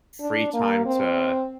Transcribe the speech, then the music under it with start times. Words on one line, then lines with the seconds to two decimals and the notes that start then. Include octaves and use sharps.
free time to
0.20 D4
0.53 A#3
0.86 C4